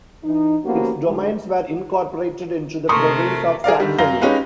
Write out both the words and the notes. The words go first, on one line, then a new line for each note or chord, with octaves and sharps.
Its domains were incorporated into the Province of Saxony.
E3 D#4
F3 A#3 B3 C#4 F#4 G4
E2 G#2 D3 G3 G#3
C3 A3 A#4 C6 C#6 D#6
G#4 A#4 D5 F5
D3 D#3 G3
F#2 F5 A#6 G7
G#3 C#4 D#4 G4 B4 F5